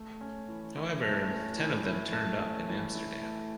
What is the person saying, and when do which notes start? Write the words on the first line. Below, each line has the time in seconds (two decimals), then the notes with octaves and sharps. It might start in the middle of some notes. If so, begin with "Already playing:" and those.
However, ten of them turned up in Amsterdam.
Already playing: A3
0.21 C#4
0.48 E3
0.76 E4
1.03 A3
1.30 C#4
1.57 E3
1.85 E4
2.12 A3
2.40 C#4
2.68 E3
2.95 E4
3.22 A3